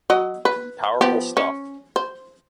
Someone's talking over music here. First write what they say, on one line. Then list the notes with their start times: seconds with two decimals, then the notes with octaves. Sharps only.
Powerful stuff.
0.10 F#3 D#5
0.45 B4
1.01 F3 B3 G4
1.37 C#4
1.96 C5